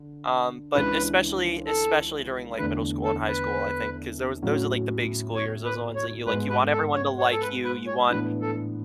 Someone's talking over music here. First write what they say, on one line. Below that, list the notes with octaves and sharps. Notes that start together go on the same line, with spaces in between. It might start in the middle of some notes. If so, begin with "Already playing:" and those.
Um, but especially especially during, like, middle school and high school, I think, 'cause those those are, like, the big school years, those are ones that you, like, you want everyone to like you, you want
Already playing: D3
C#2 C#3 E3 G#3 D4 B4
A4
E2 D3 A3 B4
A4
B4
A2 F#3 C#4 F#4
C#5
B4
C#5
G#2 G#3 B3 B4
B4
A4
C#5
C#5
A4
B4
B4
C#5
A2 E3 B3 D4 B4
A4